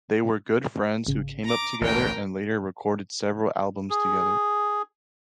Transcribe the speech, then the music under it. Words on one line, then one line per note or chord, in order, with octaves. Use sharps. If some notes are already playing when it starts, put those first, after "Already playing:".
They were good friends who came up together and later recorded several albums together.
G#1 C#3
A#5 D6
A1 D2 G#2 A#4 G5
G#4